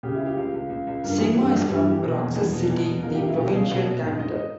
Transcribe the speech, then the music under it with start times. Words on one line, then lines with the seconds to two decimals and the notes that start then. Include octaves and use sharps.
Sigma is from Roxas City, the provincial capital.
0.03 C#3 G4
0.14 E4
0.19 C#2
0.26 G4
0.37 C#2
0.54 C#2
0.69 C#2
0.87 C#2
1.03 G2 A#4
1.20 E3 G#4
1.36 G2 G4
1.53 G2
1.66 G4
1.69 G2
1.78 E4
1.87 E3 G4
2.03 B2 A#4
2.20 E2
2.36 E2
2.53 B2
2.70 E2
2.86 B2
3.03 C#2 A#4
3.15 G4
3.19 C#2
3.27 E4
3.36 B2 G4
3.52 C#2 G#4
3.69 B2
3.77 A#4
3.85 B2
4.02 G#2
4.19 G#2 D#5
4.36 D#5